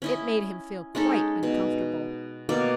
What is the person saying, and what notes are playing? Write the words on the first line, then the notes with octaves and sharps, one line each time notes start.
It made him feel quite uncomfortable.
C#4 E4 D#5
G#3 C#4 D#4 A4
B2
B2 A#3 D5 F5